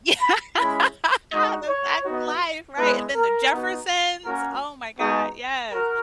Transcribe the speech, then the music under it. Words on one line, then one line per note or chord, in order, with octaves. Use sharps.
Yeah, The Facts of Life, right, and then The Jeffersons, oh my god, yes.
B5
G#3 C#4 E4 B5
G#3 D#4 F#4 D#5
C#5
B3 D#4 F#4
G#3 B3 E4 B4
A#4
B3 D#4 F#4
A#3 C#4 F#4 A#4
G#3 B3 D#4 F#4 G#4
F#4 A#4